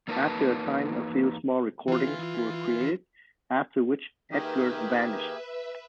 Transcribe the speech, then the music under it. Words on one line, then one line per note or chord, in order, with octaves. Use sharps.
After a time, a few small recordings were created, after which Edgar vanished.
E2 A#3 D#4 F#4 B4 A5
E3 F4
D#3 A#3 G4 G#4 B4 E5